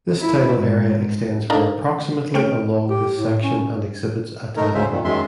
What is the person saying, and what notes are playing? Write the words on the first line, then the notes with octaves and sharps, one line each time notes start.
This tidal area extends for approximately along this section and exhibits a tidal bore.
E4
G#2
D4 D#4 A4 A#4 F5 A#5
A3 C4 C#5 G5 F6 D7
G4
A2
C#4
A3 D#4 A#4
D2 G#2 C#3 C#4 C5 E5
A#2 D#3
F#2 D#3 G#3 E5 C6